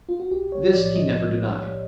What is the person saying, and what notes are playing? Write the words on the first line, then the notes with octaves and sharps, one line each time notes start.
This he never denied.
F4
F#4
B1 G4
C#5
A2 F3 D5
D#5